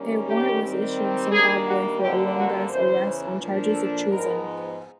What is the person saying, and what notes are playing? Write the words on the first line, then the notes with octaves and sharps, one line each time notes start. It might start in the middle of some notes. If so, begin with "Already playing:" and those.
A warrant was issued in Zimbabwe for Olonga's arrest on charges of treason.
Already playing: D#3 G3 A#3 C#4
G4
D#3 G3 C4
D#3 G3 A#3 D4 G#4
F#4
F#2 D3 G3 A#3 G4
F#4
E2 C#3 E3 C5
A#2 F3 A#3 D4
A4
G#2 F3 G#3 B3 D#4 A#4